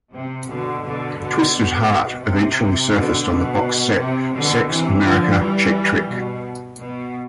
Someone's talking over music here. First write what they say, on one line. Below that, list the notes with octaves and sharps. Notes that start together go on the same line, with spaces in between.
"Twisted Heart" eventually surfaced on the box set "Sex, America, Cheap Trick".
C3
B2 D3
B2 D3
B2 D3
B2
C3
B2 D3
B2
C3
B2 D3
C3 E3
D3 F3
E3 G3
B2
B2